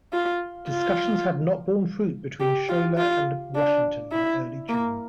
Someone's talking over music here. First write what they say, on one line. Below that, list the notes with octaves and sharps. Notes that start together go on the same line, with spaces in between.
Discussions had not borne fruit between Schuyler and Washington by early June.
F4
F4
G4
F4
F4
D4
E4
A#3